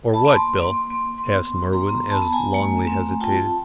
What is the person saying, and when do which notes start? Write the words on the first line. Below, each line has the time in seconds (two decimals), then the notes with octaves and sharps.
"Or what, Bill?" asked Merwin, as Longley hesitated.
0.14 A5 B5
0.25 A#3
0.35 C6
0.58 A#3 C6
0.90 A#3 C6
1.18 C6
1.24 B3
1.46 C6
1.56 F#4
1.73 A#5 C6
1.89 B3 A#5 C6
2.10 A5 B5
2.22 B3
2.32 G#5 A#5
2.54 A3
2.87 C4
3.20 F4 G5 A5